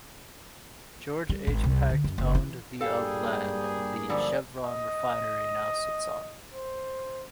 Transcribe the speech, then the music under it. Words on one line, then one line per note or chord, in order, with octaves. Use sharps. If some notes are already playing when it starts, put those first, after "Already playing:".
George H. Peck owned the of land the Chevron Refinery now sits on.
G3
G#1
C2
D3
F#2
F#1
E3
G2 G3 A#3 G#4 A4 F5 G5
F#2 D3 F3 G3 D5
D#5
C5